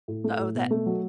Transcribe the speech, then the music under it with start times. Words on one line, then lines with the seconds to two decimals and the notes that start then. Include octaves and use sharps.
Oh, that
0.08 A2
0.24 A3
0.39 A2
0.55 B2
0.71 A3
0.86 F#3